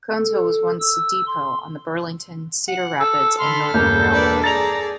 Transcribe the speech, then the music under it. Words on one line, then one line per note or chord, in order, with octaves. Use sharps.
Conesville was once a depot on the Burlington, Cedar Rapids and Northern Railway.
A4
E6
C6
F#5
A4 E6
D3 B5 C6 F6
E1 G2 C#3 A#3 G6
D4 B4 D5
G#4 D5 A#5 A6 F7